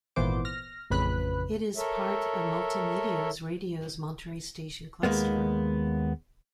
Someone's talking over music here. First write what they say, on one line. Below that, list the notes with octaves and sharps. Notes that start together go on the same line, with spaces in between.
It is part of Multimedios Radio's Monterrey station cluster.
G#1 A#2 E3 B3 C5 D6
F6 A#6
A1 F2 C#3 B4 B5 F#6
A4 A#4 C#5 E5
D#2 G#3 A#3 B3